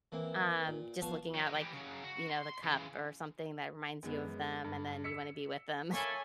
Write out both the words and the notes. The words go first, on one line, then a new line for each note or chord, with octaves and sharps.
um, just looking at, like, you know, the cup or something that reminds you of them and then you wanna be with them,
E3 A#3 C4
A#2
F3 B3 F5 A5 C#6
D#4 C#5
E3 G4
C#3 F#3
F#4
C6
C#3 E3
F#2 G#3 B3
G2
E6 B6 C#7
A#3 E4 A4 C#5 G#5